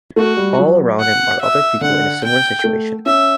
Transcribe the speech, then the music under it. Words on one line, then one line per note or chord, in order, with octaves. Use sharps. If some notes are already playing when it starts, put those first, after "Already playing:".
All around him are other people in a similar situation.
A3 F#4
G3
F#3
F#5
E5
D3 F#5
G5
A3
C#4 E5